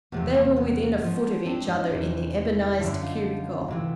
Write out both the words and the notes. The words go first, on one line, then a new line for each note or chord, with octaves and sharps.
They were within a foot of each other in the ebonised cubicle.
E2 C3 F3 A3 B3
A#3 C4
B3 C#4
G#2 F3
C4 D4
C#4 D#4
E2 C3 E3
F#2 D3 F3 D4 E4
D#4 F4
D2 C3 E3